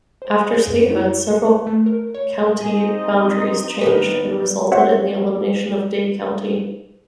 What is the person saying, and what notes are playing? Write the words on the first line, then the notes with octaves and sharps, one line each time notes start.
After statehood, several county boundaries changed and resulted in the elimination of Day County.
C5
B5
G#4
F#2
E4
A4
A3
A#4
C#5
C4 D#4 G#4 D#5
D#3 B3 B4
C4 F#4 C5 C#5 E5 F#5